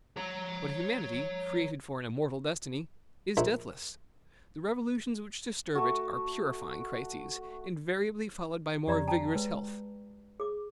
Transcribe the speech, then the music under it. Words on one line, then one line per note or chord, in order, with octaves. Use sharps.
But humanity, created for an immortal destiny, is deathless; the revolutions which disturb it are purifying crises, invariably followed by more vigorous health.
C#5 A#5
A#1 E5
A3 F#4
F2 G4 D5 A#5
G5 A5 A#5
G#3 B4
G#4 D6